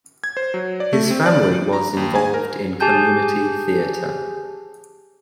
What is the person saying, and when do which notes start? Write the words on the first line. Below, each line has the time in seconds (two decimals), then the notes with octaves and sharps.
His family was involved in community theatre.
0.24 G#6
0.37 C5
0.54 F#3
0.80 D5
0.93 A3
1.11 C4
1.26 D5
1.73 A#5
1.97 D#2
2.15 G#5
2.34 A#4
2.80 G4 G#4 G#5 A5 G6